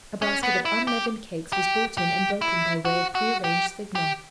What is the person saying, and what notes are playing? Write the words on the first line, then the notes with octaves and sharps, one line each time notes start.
A basket of unleavened cakes was brought in and broken, by way of prearranged signal.
C#4
B3
E4
G4
G4
G4
E4
F#4
F#4
G4
G4